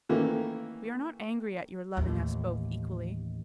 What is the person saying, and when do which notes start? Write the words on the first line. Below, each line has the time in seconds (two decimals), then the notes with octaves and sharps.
We are not angry at your loving us both equally.
0.09 D#3 E3 A3 A#3 C#4
1.97 A1 D#2